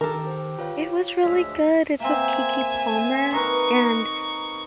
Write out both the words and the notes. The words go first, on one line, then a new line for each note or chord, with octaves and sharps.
It was really good. It's with Keke Palmer and
D#3 G4 A4 A#4
C5 G5
F4 B4 C#5 F5 G5
D2 F3 G#3 C#5 D5 E6 B6
A#3 C4 E5 G#5
D#4 A#4 B4 C#6